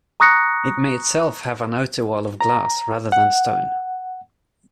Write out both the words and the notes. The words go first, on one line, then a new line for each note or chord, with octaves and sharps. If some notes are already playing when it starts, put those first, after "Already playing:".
It may itself have an outer wall of glass rather than stone.
A#5 C#6 D#6 F#6 A#6 C#7
A#5
F#5